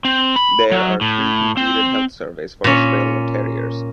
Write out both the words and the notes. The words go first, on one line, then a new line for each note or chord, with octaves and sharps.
There are three completed health surveys for Australian Terriers.
C4
B5
F#3
A2
C4
A#2 C#4